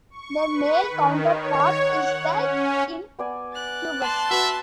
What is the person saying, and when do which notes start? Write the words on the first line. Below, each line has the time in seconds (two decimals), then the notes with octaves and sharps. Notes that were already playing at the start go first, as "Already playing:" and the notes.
The male counterpart is the incubus.
0.10 C#6
0.48 B4
0.89 D#3
1.33 C#5
1.81 F#5
2.26 C#4
3.19 B3 D5 G#5
3.54 D6 F#6 A6
4.01 A5 C6
4.30 F#4 B4 E5